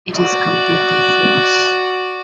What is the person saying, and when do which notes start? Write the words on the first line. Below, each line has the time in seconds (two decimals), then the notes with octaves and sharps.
It is completely false.
0.14 F#4 D5